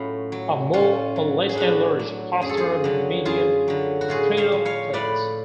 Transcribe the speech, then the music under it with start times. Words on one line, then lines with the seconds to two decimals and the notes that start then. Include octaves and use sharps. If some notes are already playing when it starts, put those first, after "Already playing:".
A more or less enlarged postero-median preanal plate.
Already playing: A2 F#3 C#4 F4
0.32 F#3
0.73 A2 C#4 F4
1.16 F#3
1.49 G#4
1.55 A2 D4 F#4
1.99 F#3
2.41 F#2 G#4
2.49 A4
2.57 F4 G#4
2.84 D3 F#3
3.25 F#2 F4 G#4
3.68 D3 F#3
4.01 F#4
4.08 A2 F4 G#4
4.37 C#5 F5
4.52 F3
4.65 C#5 F5
4.93 A2 B4 D5